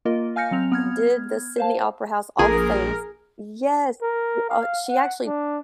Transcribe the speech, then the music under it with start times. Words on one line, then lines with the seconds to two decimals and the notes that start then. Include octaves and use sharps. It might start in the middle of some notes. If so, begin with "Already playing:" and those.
did the Sydney Opera House, all the things yes, she, uh she actually
0.05 A#3 F4 A#4 D#5
0.36 F5 G#5 F6 G6 A#6 C#7
0.51 F#3 C4 F7
0.72 B3 F6 G#6
1.58 C5 F5 A5
2.39 A#1 G#4 A#4
4.02 A#4
4.49 F5
4.87 F#5
5.26 D4